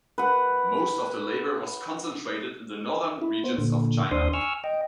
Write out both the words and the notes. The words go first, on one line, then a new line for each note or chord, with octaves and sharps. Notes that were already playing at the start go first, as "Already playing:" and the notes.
Most of their labour was concentrated in the Northern regions of China.
B4 F#5
E4
B3 C5
A#2 D3
D#2 D4 C5 C6 D#6
G#5 C#6 E6 F6
D#5 G5